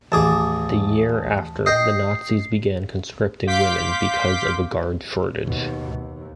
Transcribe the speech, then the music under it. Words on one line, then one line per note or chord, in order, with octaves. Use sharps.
The year after, the Nazis began conscripting women because of a guard shortage.
A1 D#2 G#4 A5 D6
D#5 G5 C7
F5 C6 D6 G6 B6
D#2 B2
D#2